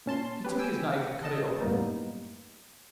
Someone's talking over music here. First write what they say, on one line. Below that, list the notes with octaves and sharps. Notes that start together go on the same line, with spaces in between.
He took his knife and cut it open.
A#2 C#4 A5 C6
C#4 G4 B4
G5 G#5 E6
F#5
A4 D#5 A5
F#2 A2 G3 A#3 B3 D#4